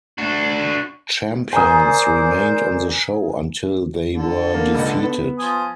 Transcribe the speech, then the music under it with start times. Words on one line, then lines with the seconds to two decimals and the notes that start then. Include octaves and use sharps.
Champions remained on the show until they were defeated.
0.18 D4 F#4
1.53 A#4 C5 D5 G#5 A#5 D#6
4.14 D3
4.54 A#3
4.75 C#2 D#5 F#5
4.99 B3
5.39 F3 G#5 D#6